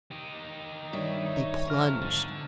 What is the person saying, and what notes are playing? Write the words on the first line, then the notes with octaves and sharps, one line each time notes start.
They plunged.
D#4 G4
G2 D#3 C#5 E5
D#4
F2 G#4 A#5 C#6 F6
G#2 D3